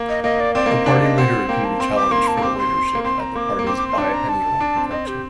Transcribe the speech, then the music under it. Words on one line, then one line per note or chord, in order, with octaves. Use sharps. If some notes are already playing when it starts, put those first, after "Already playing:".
The party leader can be challenged for the leadership at the party's biennial convention.
Already playing: A#3
D#5
A#3 D#5
D5
C4 D5
A#3
D#5
D4 F#5
D#5
C4 F#5
A#3 G5
A5
C4 C6
D6
A#3 C6
A5
A#3
C4 D6
C6
A#3
C4 C6
A#5
A#3 D6
A#3
C4 D6
D6
C6
C4
D4 A5
A#5
A5
D4
C4
C4 D#5
G4